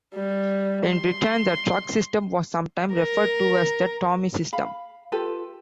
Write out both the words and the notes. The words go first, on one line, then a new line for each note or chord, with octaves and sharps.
In Britain the truck system was sometimes referred to as the Tommy system.
G3
C6
A#4
F5 B5
F4 G4 A4 B4